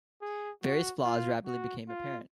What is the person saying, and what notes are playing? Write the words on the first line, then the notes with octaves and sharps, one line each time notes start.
Various flaws rapidly became apparent.
G#4
F#4
F4
F#4
F4